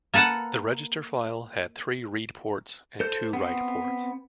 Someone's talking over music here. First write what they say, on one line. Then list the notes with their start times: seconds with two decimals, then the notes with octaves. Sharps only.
The register file had three read ports and two write ports.
0.14 A#3 A4 B4 F#5 A5
3.00 A4 C5 G6
3.33 B3 C4